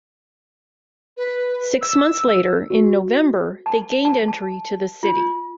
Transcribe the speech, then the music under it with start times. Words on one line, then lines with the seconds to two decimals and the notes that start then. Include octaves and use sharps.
Six months later, in November, they gained entry to the city.
1.17 B4
1.82 E6
2.70 F#4
3.66 A5
4.05 A5
4.28 A5
5.03 F4